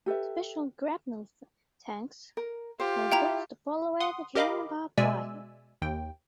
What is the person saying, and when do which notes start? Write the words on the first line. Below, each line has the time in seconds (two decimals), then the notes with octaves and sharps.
Special "grapnel tanks" towed hooks to pull away the German barbed wire.
0.06 G4 A4 B4 E5
2.37 A#4
2.80 F4 G4 C5
3.12 E4 E5 G5 A#5 F7
4.00 F#5 C6 D#6
4.35 G4 A#4 D#5 F5 B5 D6
4.97 B2 G#3 D5 E5 G#5 E6
5.82 D#2 G5